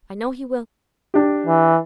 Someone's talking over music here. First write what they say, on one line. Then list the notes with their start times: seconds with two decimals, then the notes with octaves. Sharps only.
I know he will!
1.14 D4 G4
1.46 E3